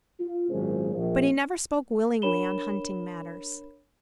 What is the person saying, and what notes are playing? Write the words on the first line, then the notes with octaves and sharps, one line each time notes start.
But he never spoke willingly on hunting matters.
F4
G#1 A#2 F#3 C#4 G#4 C5
A#1
D4 A#4 C#5 B5 E7 G7